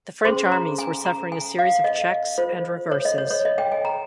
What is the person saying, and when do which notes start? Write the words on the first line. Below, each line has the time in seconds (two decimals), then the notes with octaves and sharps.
The French armies were suffering a series of checks and reverses.
0.24 C#4 G#4 C5 C6
0.52 A#5
0.78 G#5
1.05 A#5
1.32 G#5
1.59 F5
1.84 D#5
2.38 F4 C5
2.92 C#5
3.05 D#5
3.18 C#5
3.31 C#5
3.45 D#5
3.58 G5
3.72 G#5
3.85 A#5